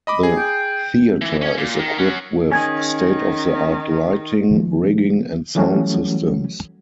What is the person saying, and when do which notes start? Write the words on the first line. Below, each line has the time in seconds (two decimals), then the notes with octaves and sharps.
The theatre is equipped with state-of-the-art lighting, rigging and sound systems.
0.07 D#5 B5 D6
0.23 G#4
0.37 G5
1.21 E3
1.42 C#4 G#5
1.58 A#2
1.79 D#3
1.98 C#4 F#4
2.52 D#3 C#4 G#4 G#5 G#6
4.51 D#3 F3
5.55 E3 F#3 G3 A3 C#4 F#4